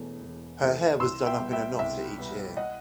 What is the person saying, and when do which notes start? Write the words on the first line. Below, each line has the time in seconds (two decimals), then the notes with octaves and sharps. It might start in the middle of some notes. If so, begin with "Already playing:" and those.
Her hair was done up in a knot at each ear.
Already playing: E1 E2 B2 A3
0.22 E1
0.62 E2 B2 A3
1.00 C2 C6 E6
1.26 E5 G5
1.39 B2 G3 B3
1.52 E5 G5
1.79 C2 E5
2.18 B2 G3 B3
2.57 D#5 F#5